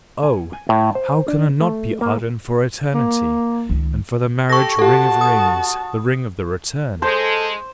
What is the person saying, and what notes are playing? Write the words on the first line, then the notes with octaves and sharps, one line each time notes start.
Oh, how could I not be ardent for Eternity and for the marriage-ring of rings--the ring of the return?
G#5
G#5
A2
C5
D4
A3
A#3
A#3
C#2 D#3
G4 A4 C#6 A#6
F#4 G4 A4 A5
D#6
G#3 A4 C5 A5 C6 G6